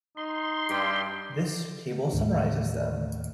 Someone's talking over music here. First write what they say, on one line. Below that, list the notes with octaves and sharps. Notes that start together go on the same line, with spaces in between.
This table summarises them.
D#4 C6
G2 G4
D#2 A2 D4